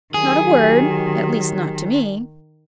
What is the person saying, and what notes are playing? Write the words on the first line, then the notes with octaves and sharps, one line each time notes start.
"Not a word--at least not to me."
D#3 F#3 G4 G#4